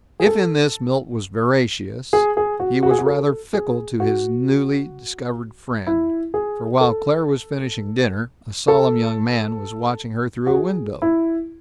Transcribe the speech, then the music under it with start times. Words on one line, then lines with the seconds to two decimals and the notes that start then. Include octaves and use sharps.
If in this Milt was veracious, he was rather fickle to his newly discovered friend; for while Claire was finishing dinner, a solemn young man was watching her through a window.
0.20 G#4
0.26 A4
2.13 G#4
2.37 G#4
2.60 F#4
2.83 F#4
2.91 G#4
2.98 F#4
3.06 A4
3.54 G#4
4.00 F#4
5.87 E4
6.34 G#4
6.81 A4
8.68 A4
10.47 F#4
10.54 G#4
11.02 E4